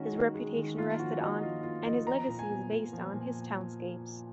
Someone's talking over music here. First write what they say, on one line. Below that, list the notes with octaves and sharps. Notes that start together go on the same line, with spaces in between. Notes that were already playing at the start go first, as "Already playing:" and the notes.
His reputation rested on, and his legacy is based on, his townscapes.
Already playing: D#3 G#3 C#4 F#4
D#3
G#3
D#3
A#3 F4
F3 F#4
C#4 D#4
F3 F4
A#3 F4
F3 D#5
F3 A#5
A#2
G#5
B3
A#2
F3
A#2